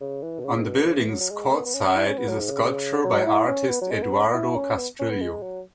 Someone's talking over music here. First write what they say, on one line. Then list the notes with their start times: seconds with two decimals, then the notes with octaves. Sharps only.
On the building's courtside is a sculpture by artist Eduardo Castrillo.
0.01 C#3
0.23 E3
0.39 B2
0.44 C#3
0.60 G#2
0.66 B2
0.88 C#3
0.98 E3
1.09 F#3
1.20 F#3
1.31 G#3
1.53 B3
1.65 B3
1.74 C#4
1.85 C#4
1.96 E4
2.07 C#4
2.18 B3
2.28 F#3
2.39 G#2
2.50 C#3
3.04 F#3
3.26 E4
3.47 C#4
3.69 B3
3.81 F#3
3.91 G#3
4.02 B3
4.13 C#4
4.34 E4
4.56 C#4
4.78 B3
4.99 C#4
5.10 B3
5.21 G#3
5.42 F#3